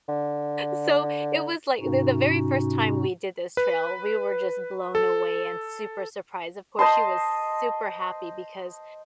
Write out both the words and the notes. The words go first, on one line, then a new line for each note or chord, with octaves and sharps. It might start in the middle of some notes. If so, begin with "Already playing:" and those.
so it was, like the the very first time we did this trail, we were just blown away and super surprised, of course, she was super happy because
D3
G#2 C3 C#4 D#4 F#4
B4
A4
C5 D#5 A5 C6